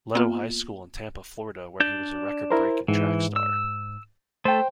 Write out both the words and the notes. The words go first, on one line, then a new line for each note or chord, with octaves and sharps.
Leto High School in Tampa, Florida where he was a record-breaking track star.
A#3 B3 F4
D4 D5 G6
E4 A#4 C5
G#2 E3
E6
A3 A4 C5 G5